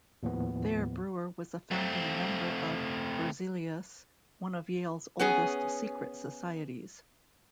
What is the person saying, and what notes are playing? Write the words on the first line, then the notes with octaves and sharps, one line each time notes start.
There, Brewer was a founding member of Berzelius, one of Yale's oldest "secret societies".
D#2 A2 F3 B3
A3 C4
B3 C#4 G#4